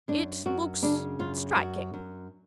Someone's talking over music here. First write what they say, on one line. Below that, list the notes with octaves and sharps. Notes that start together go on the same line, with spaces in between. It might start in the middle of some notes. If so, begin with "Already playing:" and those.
"It looks--striking."
F#2 D4
F#2 F#4
C#3 D4
F#2 F4
F#2 F#4
F#2